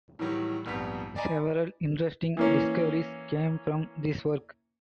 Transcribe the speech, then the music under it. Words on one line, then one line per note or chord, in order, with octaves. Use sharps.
Several interesting discoveries came from this work.
A2 D#3 E3 F#3 G3
A#1 F2 G#2 G3 B3 B6
D5 D#5 G#5 A#5 B5
E3 A#3 C#4